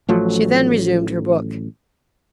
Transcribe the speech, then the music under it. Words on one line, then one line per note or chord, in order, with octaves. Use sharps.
She then resumed her book.
A1 F3 F#3 A3